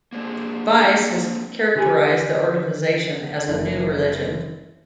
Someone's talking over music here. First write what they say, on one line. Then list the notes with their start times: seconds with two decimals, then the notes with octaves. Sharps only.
"Vice" has characterized the organization as a "new religion".
0.12 A#3 C4 D4 G#4
1.75 D3 G4 G#5
3.48 F#1